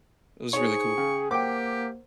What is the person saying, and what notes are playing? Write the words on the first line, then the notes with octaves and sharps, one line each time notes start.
was really cool.
D#4 G#4 C5 C#5 C#6
C#3 G5
A#3 G4 A#4 C5 F#5 G5 D6